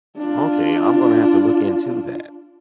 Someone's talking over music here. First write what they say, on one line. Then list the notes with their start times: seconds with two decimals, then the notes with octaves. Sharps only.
Okay, I'm gonna have to look into that.
0.18 D4 F4